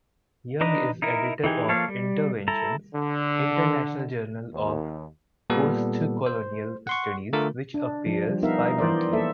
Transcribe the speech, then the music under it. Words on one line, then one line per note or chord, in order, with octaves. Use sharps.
Young is Editor of "Interventions: International Journal of Postcolonial Studies" which appears bimonthly.
D4 D#4 B4 D#5 A#5
D#4 E4 A#4
E3 D#4 G4 G#4
F3 A#3 A4 C#5 F5
G3
E4 A4 A#5
D3
D#2
A#2 G3 B3 A4
C5
F#5 C6 C#6
D3 A3 F4 A#4
D4
F3
G3
B3 D#4 A#4 E5 F5
E3 A#4 C5 D5
A#3 A4 E5